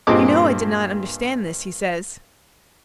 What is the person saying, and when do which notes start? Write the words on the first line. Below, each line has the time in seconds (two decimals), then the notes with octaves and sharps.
"You know I did not understand this," he says.
0.07 G2 A#2 C4 G#4 D#5 D6